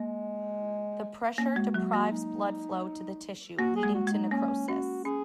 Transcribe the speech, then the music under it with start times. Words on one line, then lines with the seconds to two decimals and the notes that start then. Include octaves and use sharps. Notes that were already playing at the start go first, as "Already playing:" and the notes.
The pressure deprives blood flow to the tissue, leading to necrosis.
Already playing: G#3 A#3
1.38 A#3 C#4
1.56 G#3 F#4
1.74 F#3 F#4
1.93 A#3 F#4
2.11 D#4
3.59 A#3 F#4
3.76 G#4
3.83 G#3
3.94 F#4
4.07 G#3
4.13 D#4
4.31 A#3 C#4
4.68 C#4 F#4
5.05 C#4 G#4